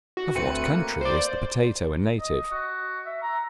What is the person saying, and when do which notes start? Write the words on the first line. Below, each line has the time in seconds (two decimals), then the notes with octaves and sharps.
Of what country is the Potato a native?
0.17 F#4
0.35 D2 A3 C4 B4 C#7 D#7
0.67 A#3
1.01 C5 D5
2.19 D#5
2.51 F#4
3.06 E5
3.22 A#5